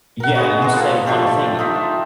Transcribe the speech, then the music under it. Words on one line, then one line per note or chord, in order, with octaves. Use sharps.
yeah, you say one thing
A#4 F#5
G#3 B3 F#4
G#3 B3
A#3 F4 A4
F3 A3 D4 G4
D#4 F4 E5